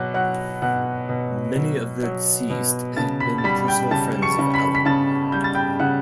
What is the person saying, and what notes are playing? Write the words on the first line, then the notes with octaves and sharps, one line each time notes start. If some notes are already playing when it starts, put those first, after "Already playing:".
Many of the deceased had been personal friends of Allen.
Already playing: B2 F#3 F#5 D6 F#6
F#3 F#5 F#6
B2 F#5 F#6
B2
F#3
F#3
B2
C#3 A5 A6
B5 B6
A6
G3 B5 B6
G5 G6
C#3 A5 A6
C#6 C#7
C#3
B5 B6
B6
C#3 A5 A6
G3 G6
A6
G5 G6
C#3 F#5 F#6